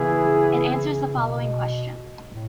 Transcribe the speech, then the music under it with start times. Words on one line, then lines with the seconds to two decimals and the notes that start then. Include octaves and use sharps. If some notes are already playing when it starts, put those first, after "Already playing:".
It answers the following question.
Already playing: C#3 E3 B3 E4 G#4
1.16 B2
2.32 A2